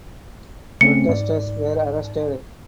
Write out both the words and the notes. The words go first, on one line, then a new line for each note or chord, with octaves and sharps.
Protesters were arrested.
C#3 A3 C4 C#4 C#7
G#2 D5